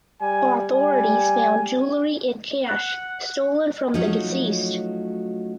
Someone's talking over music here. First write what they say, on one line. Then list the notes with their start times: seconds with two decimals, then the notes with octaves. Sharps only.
Authorities found jewelry and cash stolen from the deceased.
0.22 G3 G#5
0.73 G3 G#5
2.69 F#5
3.94 F3 F#3 A3 C#4 D#4 F#4